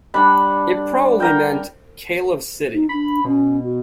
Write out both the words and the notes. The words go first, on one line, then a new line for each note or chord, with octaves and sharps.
It probably meant "Kalev city".
G3 D4 B5
A#4 G5
D#4
D4 B5
B2 C#4
F#4